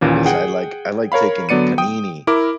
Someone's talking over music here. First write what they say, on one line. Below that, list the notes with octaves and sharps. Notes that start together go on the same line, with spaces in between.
is I like I like taking panini,
D#2 A#2 E3 C#4
G#4 F#5 G5
A#4 C#5 F5 B5
D3 F#3 B3 D5 C#7 D#7
G5 D#6
E4 A#4 D6